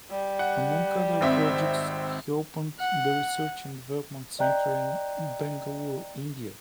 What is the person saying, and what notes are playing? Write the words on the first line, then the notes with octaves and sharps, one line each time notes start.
Among other projects, he opened the Research and Development center at Bengaluru, India.
G3
F#5
G#1 C4 E5
F#5
D5 D#5 G5 A#5 F#6 G6